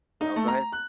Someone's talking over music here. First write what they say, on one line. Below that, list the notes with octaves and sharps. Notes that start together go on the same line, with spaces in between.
no, go head.
D#4
A3
A#5
F#6